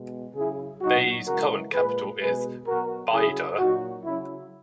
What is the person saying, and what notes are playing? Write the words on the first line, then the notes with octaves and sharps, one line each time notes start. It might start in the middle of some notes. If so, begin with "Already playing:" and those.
Bay's current capital is Baidoa.
Already playing: B2 G#3
C#3 F#3 E4 G#4
A#2 F#3 D#4 F#4
C#3 E3 G#3 F#4 A#4
A#2 G#3 G#4 B4
B2 G#3 G#4 B4
B2 F#3 F#4 A#4
C#3 F#3 E4 G#4
A#2 F#3 D#4 F#4
C#3 F#3 C#4 E4